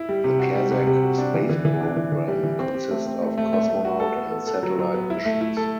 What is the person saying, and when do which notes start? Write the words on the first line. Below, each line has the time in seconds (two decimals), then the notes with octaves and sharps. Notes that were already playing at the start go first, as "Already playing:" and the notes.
The Kazakh space program consist of cosmonaut and satellite missions.
Already playing: E4
0.09 G3
0.24 C3
0.40 F#4
0.56 G3
0.72 C3
0.87 C3
1.03 F#4
1.18 D4
1.34 E3
1.49 E3
1.65 E3
1.81 D4
1.97 E3
2.12 E3
2.28 G3
2.43 E3
2.59 C4
2.75 G4
2.91 A3
3.06 C4
3.22 A3
3.38 A3
3.53 A3
3.69 A3
3.85 F#4
4.00 A4
4.16 B3
4.31 A4
4.47 A4
4.63 F#3
4.79 F#3
4.94 B3
5.10 E4
5.25 A3
5.41 E4
5.57 A4